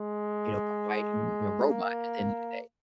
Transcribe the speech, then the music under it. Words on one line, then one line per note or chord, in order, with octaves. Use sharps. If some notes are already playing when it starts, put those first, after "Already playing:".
you know, providing, you know, robot at the end of the day,
Already playing: G#3
A#3